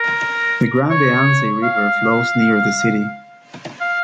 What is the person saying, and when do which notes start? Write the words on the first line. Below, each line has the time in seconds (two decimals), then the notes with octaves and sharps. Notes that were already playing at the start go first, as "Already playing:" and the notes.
The Grande-Anse River flows near the city.
Already playing: A#4
0.90 C#5
1.64 F5
3.81 F5